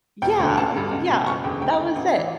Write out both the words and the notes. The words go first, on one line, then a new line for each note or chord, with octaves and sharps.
Yeah, yeah, that was it.
E1 G5
D2 D3
A1 A5
G2 D3
C#2
B2
F#1 C#6
E2 D3 G5
D2 G5
G5
D3
A1
E3